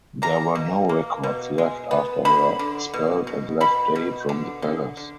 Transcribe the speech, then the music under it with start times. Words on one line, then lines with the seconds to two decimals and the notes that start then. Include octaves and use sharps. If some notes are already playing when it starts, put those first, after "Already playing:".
There were no records left after her expelled and left day from the palace.
0.22 A#3 A#5
0.55 B2
0.89 A#3
1.23 B2
1.58 G#3
1.91 B3
2.25 D3 B5
2.59 D3
2.94 B2
3.27 B2
3.61 B2 B5
3.95 B2
4.29 D3
4.62 D3
4.97 D3